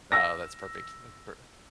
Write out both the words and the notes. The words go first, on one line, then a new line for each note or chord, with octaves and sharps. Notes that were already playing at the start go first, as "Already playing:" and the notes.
No, that's perfect, that's perfect
E6 A#6